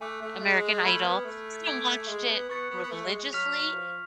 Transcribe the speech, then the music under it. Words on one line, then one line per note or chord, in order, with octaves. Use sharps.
American Idol. I haven't watched it religiously
A3 G#5 D6 F#6
A3
G#3
A3 B5 F6 G#6
B3
A3
G#5 D6 G#6 D7
G#3
B3
B3 C#6 F#6 A6 C#7
B3
B3
A3
G#3
G#3
F#3 C#6 F6 B6 F7
F3